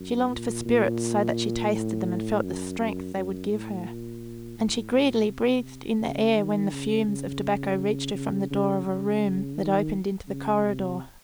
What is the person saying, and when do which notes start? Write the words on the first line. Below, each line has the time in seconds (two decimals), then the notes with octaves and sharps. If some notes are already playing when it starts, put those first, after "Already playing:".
She longed for spirits so that she tasted them and felt the strength they would give her; and she greedily breathed in the air when the fumes of tobacco reached her from the door of a room that opened into the corridor.
Already playing: F#2
0.30 A#2
0.65 A#2
1.72 A2
2.44 F#2
2.79 F#2
3.15 F#2
3.51 A2
3.87 A#2
4.58 A2
4.93 A#2
5.29 C3
6.01 C#3
6.36 D#3
6.72 C#3
7.08 C#3
8.14 C#3
8.51 C#3
8.86 C#3
9.57 D#3
10.28 C#3
10.64 C3